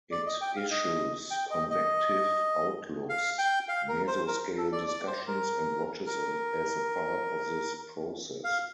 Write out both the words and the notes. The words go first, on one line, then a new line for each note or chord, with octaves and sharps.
It issues convective outlooks, mesoscale discussions, and watches as a part of this process.
D5
D#5
G5
F5
D#5
G5
D#5
D#5
F5
G5
F5
A#4
C5
A#4
A4
D5
D5
C5
A#4
A#4
F5